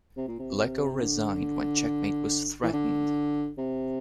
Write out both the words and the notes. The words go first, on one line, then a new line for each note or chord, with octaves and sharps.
Leko resigned when checkmate was threatened.
C3
A#2
C3
C3
D3
E3
D3
C3